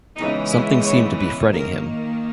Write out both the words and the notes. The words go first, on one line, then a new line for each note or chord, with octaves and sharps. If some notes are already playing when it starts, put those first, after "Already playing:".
Something seemed to be fretting him.
C#3 E3 G#3 B3 D#4
E4
C#5
B4
D#3 A#3 A#4